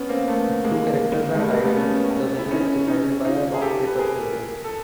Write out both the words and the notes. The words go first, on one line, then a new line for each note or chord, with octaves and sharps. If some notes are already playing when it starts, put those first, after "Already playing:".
If two characters are tied, the winner is decided by a rock-paper-scissors.
Already playing: B3 C#4
A#3 C4
A3 B3
G#3 A#3
G#3
G3 A3
G#3 A#3
A3 B3
B3 C#4
E4
C#4 D#4
C#4 D#4
D#4 F4
G#4
G4 A4
B4
G#4 A#4
A4